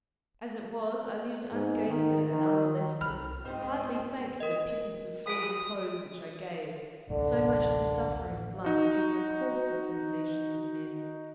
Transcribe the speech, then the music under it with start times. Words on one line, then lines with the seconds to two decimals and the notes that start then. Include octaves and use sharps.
As it was, I lived ungazed at and unmolested, hardly thanked for the pittance of food and clothes which I gave, so much does suffering blunt even the coarsest sensations of men.
1.52 G#2
1.88 D#3
2.31 D#3
3.01 C2 B5 F6
3.45 G#2 C4 F4 G4 C5 D#5
4.40 A#4 D#5
5.27 D#6 B6 D7
7.09 A1 D2 A2 D3
8.64 D#4 F#4